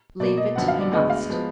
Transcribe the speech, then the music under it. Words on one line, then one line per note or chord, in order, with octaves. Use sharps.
Leave it he must.
B2 A#3 D5
D#5
F#2 D3 F3 B3 F#5
F5
D5
D2 D3 G#3 B3 D#5
F5
F3 G#3 B3